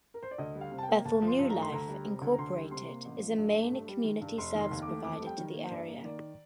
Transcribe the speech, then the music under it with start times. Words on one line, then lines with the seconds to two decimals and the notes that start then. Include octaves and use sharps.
Bethel New Life, Incorporated is a main community service provider to the area.
0.14 A#4
0.23 C5
0.31 D5
0.38 D2 D#5
0.55 G3
0.61 F5
0.72 C3
0.78 A5
0.83 G5
0.89 A#3
1.05 G1 A5
1.22 F3
1.27 C6
1.39 G2
1.49 A#5
1.55 A3
1.62 C6
1.72 D2 A#5
1.88 G3
2.05 C3
2.21 D2
2.32 A#5
2.38 D2 C6
2.55 G3
2.71 C3 C6
2.88 A#3
3.05 A1
3.21 F3
3.38 G2
3.55 A3
3.71 G2
3.88 G3
4.05 D#3
4.21 G2
4.38 F1 C6
4.55 D#3
4.60 C6
4.71 D#2
4.82 D6
4.88 A3
5.04 F2 D6
5.21 G3
5.26 G5
5.38 D#3
5.54 A#3
5.66 C5
5.71 G2 D5
5.88 A#3
6.04 D#3 D5